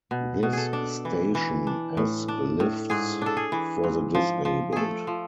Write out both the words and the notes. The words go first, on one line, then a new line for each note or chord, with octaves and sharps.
This station has lifts for the disabled.
B2
B2
G#4 A4
D4
E3
E3
D4
A2
D4
A2
G#2 G#4
D4 A4
G#4
E3
G#2
F3
F3
A3 G#4 A4
F3